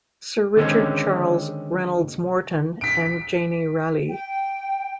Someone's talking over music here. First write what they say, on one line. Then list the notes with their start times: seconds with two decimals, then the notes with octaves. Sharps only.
Sir Richard Charles Reynolds-Moreton and Janie Ralli.
0.57 D3 D#3 G#3 C4 C#4
2.81 B6 D7
4.09 G5